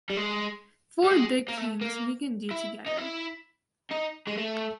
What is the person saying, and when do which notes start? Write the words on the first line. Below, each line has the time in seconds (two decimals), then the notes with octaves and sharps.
Four big things we can do together.
0.10 G3
0.17 G#3
1.04 G3
1.10 G#3
1.48 A#3
1.57 A3
1.81 A#3
2.51 E4
2.87 D#4
2.98 E4
3.91 D#4
4.27 G#3
4.37 A3